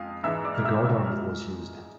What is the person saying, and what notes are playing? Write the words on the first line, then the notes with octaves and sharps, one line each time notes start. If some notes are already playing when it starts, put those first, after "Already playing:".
The guard army was used.
Already playing: F2 G#3 F5
G#2 E3 G#3 E5 E6
D5 D6
F6
E5 E6
E5 E6
F3 G#3 F6